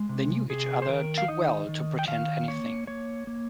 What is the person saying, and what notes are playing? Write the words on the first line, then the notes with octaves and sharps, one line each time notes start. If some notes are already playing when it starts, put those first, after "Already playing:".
They knew each other too well to pretend anything.
Already playing: G#3
C3
C3 G#4
C5
D#3 A#4
F5
D#4 D#5
D#3
G5
D#3 F5
A#3 C#5
A#3 C#5
A#3